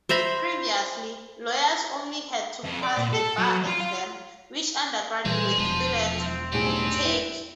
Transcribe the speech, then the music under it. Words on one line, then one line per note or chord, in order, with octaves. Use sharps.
Previously, lawyers only had to pass the bar exam, which undergraduate students could take.
C5 E5 A#5 B5
F2
D5
A#2
A4
F#3
F4
F4
A#2 E3 G3 G#3 G#4 C5
E1 F3 G#3
C4
B1 A2 D4 G4 G#4
E4